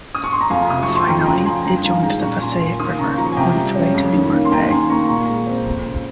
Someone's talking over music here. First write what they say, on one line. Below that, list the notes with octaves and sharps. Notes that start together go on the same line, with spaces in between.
Finally, it joins the Passaic River, on its way to Newark Bay.
D#6
C#6
C6
A#5
F2 F5 G#5
C3 D#6
C#6
F3
C6
F2 G5 A#5
C#3 G5 A#5
F3 G#5 C6
G2 G5 A#5
D#3 F5 G#5
G#3 G5 A#5
A#2 A#5 C#6
F3 G#5 C6
A#3 G#5 C6
D#2 C6 D#6
C#3 A#5 C#6
F3 A#5 C#6
G#5
C3 G5 A#5
G3
C#4
F2
D#3
A#3
C6
D#2 G5 A#5
D#3 G#5 C6
A#3 A#5 C#6
A#2 A#5 C#6
G#3
C4
F2
C#3